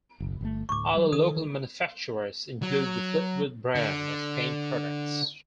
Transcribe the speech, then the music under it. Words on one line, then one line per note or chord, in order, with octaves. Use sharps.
Other local manufacturers include the Fleetwood brand of paint products.
F#1 B1
G1 D3 A3
D2 A2 C#6 D6
F#3 G3
D#3 A4 D#6
F#3
D3